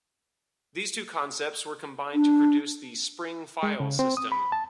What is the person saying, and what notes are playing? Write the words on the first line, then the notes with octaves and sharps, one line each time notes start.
These two concepts were combined to produce the Spring file system.
D4
G#3
C#3
C4
D#6
B5
A5